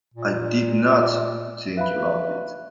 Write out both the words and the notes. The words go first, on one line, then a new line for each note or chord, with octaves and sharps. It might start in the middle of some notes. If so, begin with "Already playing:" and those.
I did not think about it.
A#2
B4 E5 F5 B5